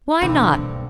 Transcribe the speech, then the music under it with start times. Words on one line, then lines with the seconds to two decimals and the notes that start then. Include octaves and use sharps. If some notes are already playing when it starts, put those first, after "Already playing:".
Why not?
0.21 G2 B2 D3 E3 C4
0.55 B1 A#3